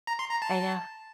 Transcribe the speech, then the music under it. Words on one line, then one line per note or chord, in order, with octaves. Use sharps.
I know.
A#5
C6
A#5
A5